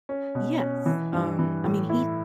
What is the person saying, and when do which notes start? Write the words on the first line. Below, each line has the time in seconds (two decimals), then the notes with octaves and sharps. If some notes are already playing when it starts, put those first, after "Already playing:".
Yes. Um, I mean, he
0.09 C#4
0.35 B2
0.60 C#4
0.86 E3
1.13 G2
1.39 E3
1.64 A2
1.90 E4